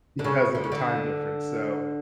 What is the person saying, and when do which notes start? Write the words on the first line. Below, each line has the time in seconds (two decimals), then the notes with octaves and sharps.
because of the time difference, so,
0.19 D3
0.24 C#3
0.55 D3
0.64 C#3
0.72 D3